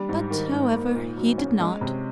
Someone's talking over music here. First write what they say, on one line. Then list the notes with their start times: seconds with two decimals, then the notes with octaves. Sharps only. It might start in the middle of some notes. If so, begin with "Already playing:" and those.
But, however, he did not.
Already playing: G3 D4
0.09 G#2
0.30 D#3
0.53 G#2
0.74 A#3
0.95 A#2
1.17 F#3
1.38 C#4
1.60 G#3
1.81 C3